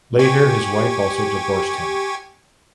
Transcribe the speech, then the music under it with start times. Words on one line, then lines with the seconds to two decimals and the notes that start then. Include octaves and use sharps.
Later his wife also divorced him.
0.19 G4 G#5 C#6